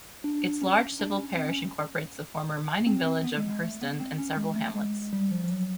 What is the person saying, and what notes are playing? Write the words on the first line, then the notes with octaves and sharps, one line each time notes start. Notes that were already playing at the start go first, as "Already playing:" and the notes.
Its large civil parish incorporates the former 'mining village' of Hersden and several hamlets.
D4
C#4
D4
C#4
C4
C#4
C4
C4
B3
G#3
G#3
A3
B3
C4
C#4
G#3
A3
G#3
G3
F3
F3
F#3